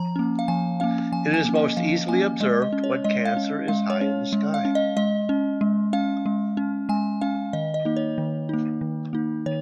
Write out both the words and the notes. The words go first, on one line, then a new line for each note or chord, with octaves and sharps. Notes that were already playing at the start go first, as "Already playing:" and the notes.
It is most easily observed when Cancer is high in the sky.
Already playing: F3 A#5
A#3 C#4
F5
F3 G#5
A#3 C#4 F5
F3 G#5
G#5
A#3 C#4
D#5
F3 F5
A#3 C#4 G#5
G#3 D#5
D#5
C#4
C#5
G#3 D#5
F5
C#4
G#3 F5
C#5
C#4
G#3
F5
C#4
D#5
G#3 D#5
C#4
G#3
C#4 F5
G#3
C#4
G#3 G#5
C#4 F5
D#3 D#5
D#5
A#3 D#4
C#5
D#3
A#3 D#4
D#3
A#3 D#4
D#3 C#5